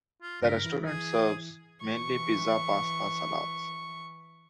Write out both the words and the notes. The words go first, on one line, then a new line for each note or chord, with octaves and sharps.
The restaurant serves mainly Pizza, Pasta, Salads.
F4
G2 C#3 A#4 B6
E3 E4
G#4
E3 C#6